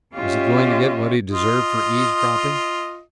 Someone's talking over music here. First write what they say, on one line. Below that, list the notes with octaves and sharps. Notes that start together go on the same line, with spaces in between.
Was he going to get what he deserved for eavesdropping?
C#4 F4 G4 C#5 D#5 E5
F4 D#5